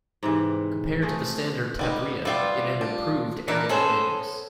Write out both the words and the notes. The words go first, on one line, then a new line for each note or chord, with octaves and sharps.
Compared to the standard "Tavria" it had improved aerodynamics.
G#2 C3 E3
F3 A3 G#4
G3 B3 D#4
G3 B3 F4 E5 G5
D4
E3 D4 E4 A#4 D5
B3 C#4 G#4 A4 C5